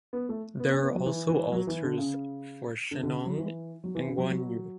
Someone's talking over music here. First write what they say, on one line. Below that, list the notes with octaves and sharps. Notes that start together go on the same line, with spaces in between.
There are also altars for Shennong and Guan Yu.
B3
A3
B3
C#4
B3
F#3
E3
E3
F#3
E3
D3
C#3
D3
D3
C#3
F#3
E3
F#3
E3
C#3
F#3
F#3